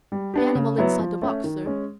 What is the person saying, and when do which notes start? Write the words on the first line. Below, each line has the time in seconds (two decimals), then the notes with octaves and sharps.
"The animal inside the box, sir."
0.12 G3
0.34 B3 D4 G4
0.55 C#3
0.78 F#3 B3 E4
0.99 F3
1.22 A3 C#4
1.44 D#3
1.66 G#3 C#4